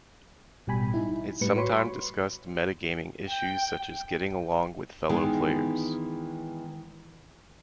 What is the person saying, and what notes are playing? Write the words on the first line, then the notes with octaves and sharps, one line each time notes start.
It sometimes discussed "meta-gaming" issues, such as getting along with fellow players.
A1 B2 G3 G5 G#5 B5
D#4 E4
A2 G3 B4 C#7
F#4 B4 C#5 B5 C6
G5
D#3 E3 G#3 B3